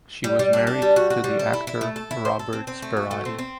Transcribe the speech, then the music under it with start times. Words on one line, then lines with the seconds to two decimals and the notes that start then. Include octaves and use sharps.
She was married to the actor Robert Sperati.
0.24 G3
0.39 G3
0.53 D4
0.67 D4
0.82 G3
0.96 F#4
1.10 F#4
1.24 G3
1.39 A4
1.53 E4
1.67 E4
1.81 A3
1.96 A4
2.11 E4
2.25 C5
2.39 A4
2.53 C4
2.67 C4
2.82 A3
2.97 F#4
3.11 A3
3.25 C4
3.39 C4